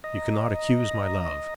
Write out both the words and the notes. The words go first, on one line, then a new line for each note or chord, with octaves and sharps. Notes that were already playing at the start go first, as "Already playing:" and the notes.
You cannot accuse my love.
D#5 A#5